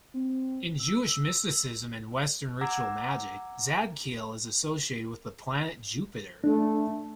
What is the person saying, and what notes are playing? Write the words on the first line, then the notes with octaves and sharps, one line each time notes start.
In Jewish mysticism and Western ritual magic, Zadkiel is associated with the planet Jupiter.
C4
E6
F#5 A#5 D6 E6 G#6
A3 D4